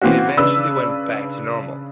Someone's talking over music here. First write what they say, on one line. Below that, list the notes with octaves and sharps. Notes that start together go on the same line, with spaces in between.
It eventually went back to normal.
E3 A#3 C4 C#4 F#4
C#3 D4 B4 E6